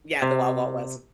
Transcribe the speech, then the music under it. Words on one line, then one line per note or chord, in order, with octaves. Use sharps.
Yeah, the Wild Wild West.
C3